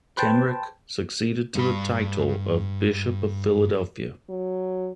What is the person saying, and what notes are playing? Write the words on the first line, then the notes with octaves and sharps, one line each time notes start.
Kenrick succeeded to the title of bishop of Philadelphia.
B4 C5 G5 A5
G2 B5
F#3